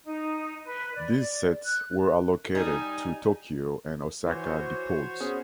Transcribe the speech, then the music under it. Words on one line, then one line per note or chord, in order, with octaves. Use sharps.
These sets were allocated to Tokyo and Osaka depots.
D#4
B4
D5
F#6
G3 D#4 G#5
E3 F#4 C5 C#5
B3 C#4 G#4